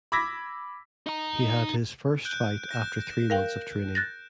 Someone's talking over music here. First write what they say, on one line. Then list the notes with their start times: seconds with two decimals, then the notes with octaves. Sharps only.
He had his first fight after three months of training.
0.12 B5 D6 E6 G#6 A#6 B6
1.06 D#4 A#5
2.25 F#6 G6 D7
2.71 A#6 E7
3.30 A#4 F5 G5
3.95 F#6 A6 A#6